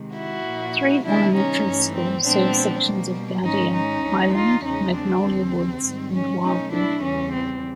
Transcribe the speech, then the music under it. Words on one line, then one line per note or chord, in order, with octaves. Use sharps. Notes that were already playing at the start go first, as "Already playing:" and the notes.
Three elementary schools serve sections of Gardere: Highland, Magnolia Woods, and Wildwood.
Already playing: C3 D#3 G#3
E4 F#4
A#2 F3 A#3
C3 D#3 G3 B3 D4 E4
C#4 D#4
G2 E3 A3
C4
A#2 F3 G#3 B3 C4 D4
B2 G3 A#3
G#2 D#3 G#3 C#4 D#4
C#4 D#4
D2 D3 F3
D#4 F4
E2 C#3 F3 G#3 C#4 D#4
C4 D4
D#2 C#3 F3 C4
G#2 D#3 G3
C#4
B2 F#3 A3 C#4 D#4
D4 E4
E2 C#3 E3 G3 C#4
C4